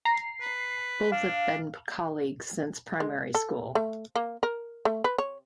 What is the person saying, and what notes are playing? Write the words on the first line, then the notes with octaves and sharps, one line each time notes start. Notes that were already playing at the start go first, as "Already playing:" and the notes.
Both has been colleagues since primary school.
A#5 C7
B4
D4 F5
G#3
A4
A3
A#3
A#4
A3
B4
C#5